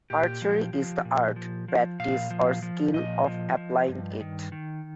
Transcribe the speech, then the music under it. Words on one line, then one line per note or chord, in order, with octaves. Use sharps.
Archery is the art, practice, or skill of applying it.
A#2 G4
F3
F3
A#2
F3
F3
A#2 F5
F3
F3
A#2 D#5
F3
F3
G2
D#3
D#3